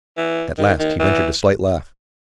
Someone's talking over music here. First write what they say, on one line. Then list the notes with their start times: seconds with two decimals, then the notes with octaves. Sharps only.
At last he ventured a slight laugh.
0.17 E3
0.58 D#3
0.80 D#3
1.00 E3